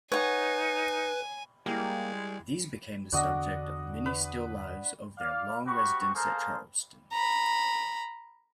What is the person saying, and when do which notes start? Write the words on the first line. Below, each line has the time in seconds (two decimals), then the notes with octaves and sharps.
These became the subject of many still lives over their long residence at Charleston.
0.12 D#4 B4 C#5 F#5 G#5
1.66 G3 G#3 A#3 E4 G4
3.12 E2 D3 D4 F#4 D#5
4.06 B4
5.18 D5 F5
5.66 C4 F#4 G4 B5 C#6
6.14 A#3 G#4 A4 C5 F5 A#5
7.12 A#5 B5